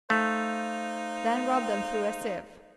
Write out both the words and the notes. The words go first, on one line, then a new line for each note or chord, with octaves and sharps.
Then rub them through a sieve.
A3 D#4 C5 F5